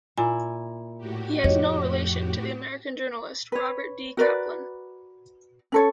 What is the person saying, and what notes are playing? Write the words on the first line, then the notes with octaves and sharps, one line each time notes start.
He has no relation to the American journalist Robert D. Kaplan.
A#2 E4 G#5
A2 F#4 G4
F2 C#5 D#5
B4 C#5
F#4 A#4 B4 D5
C#4 A4 C#5